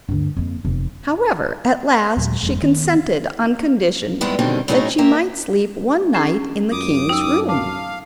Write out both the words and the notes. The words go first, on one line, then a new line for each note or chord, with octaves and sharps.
However, at last she consented on condition that she might sleep one night in the king's room.
D2 G2
F2 A#3
F1 E2
D#2 A#2 F#3 G#3
G1 F2 G3 A3
D#3 B3
G2 D#3 G3 G#3 B3 E4
F#2 B2 D3 D#3 G3 C4
A2 F#3 C#4 D#4 F#4 G#4
G#3 A#3 G4 A#4 E5
C#4 D4 G#4 C7
F#2 F4 D6 D#6
D#4 G5 E6
F5 A5 D6